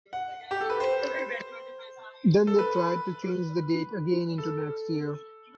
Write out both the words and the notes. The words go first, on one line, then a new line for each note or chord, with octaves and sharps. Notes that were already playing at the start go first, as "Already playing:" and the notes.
Then they tried to change the date again into next year.
F#5
G4
A4
B4
C5
A4
B4
A4